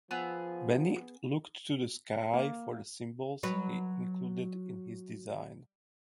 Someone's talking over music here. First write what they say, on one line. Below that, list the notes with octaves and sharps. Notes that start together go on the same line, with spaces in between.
Benny looked to the sky for the symbols he included in his design.
F3 B3 G#4 E6
A#3
F#3 B4